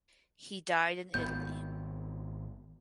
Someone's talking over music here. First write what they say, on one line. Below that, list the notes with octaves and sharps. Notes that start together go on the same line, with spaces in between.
He died in Italy.
G#1 D#3 B3 G6